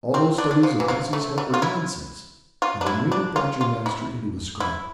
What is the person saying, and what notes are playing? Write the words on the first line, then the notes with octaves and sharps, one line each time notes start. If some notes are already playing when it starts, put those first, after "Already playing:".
All those studies of Bessie's head were nonsense, and they nearly brought your master into a scrape.
C4
D4
D4
F3
E3
F3
A3
A3
F4
E4
F4
D4
E4
D4
F4
F4
E4
E4